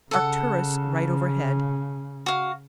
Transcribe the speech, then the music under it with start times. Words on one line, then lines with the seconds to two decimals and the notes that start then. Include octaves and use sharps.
Arcturus right overhead.
0.11 C#3 A4 F#5
2.26 F#4 F5